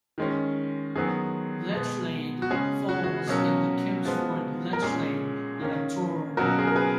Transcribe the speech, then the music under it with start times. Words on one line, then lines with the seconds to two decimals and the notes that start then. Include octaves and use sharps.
Lechlade falls in the Kempsford-Lechlade electoral ward.
0.18 D#3 G#3 C#4
0.95 D#3 F#3 B3 G#4
1.73 B2 G#3 B3
2.42 F#4
2.50 C#3 G#3 C#4 G#4
2.89 F#4
3.04 F#4
3.27 B2 F#3 A#3 C#4
4.05 F3 G#3 B3
4.73 A#4
4.82 A#2 G#3 C#4 G#4
5.60 D#3 A#3 C#4
6.37 B2 F#3 A#3 C#4 F#4 A#4
6.59 G#4
6.67 A#4
6.76 G#4 B4